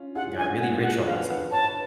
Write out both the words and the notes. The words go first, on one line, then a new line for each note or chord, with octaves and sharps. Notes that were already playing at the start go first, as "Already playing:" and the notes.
and got really rich all of a sudden.
Already playing: C#4 F4
F4 G#4 F#5
G#5
F#5
F4
F#4 F#5
G#4
A4
G#4 B4 F5
F#5
C#5 A5
B4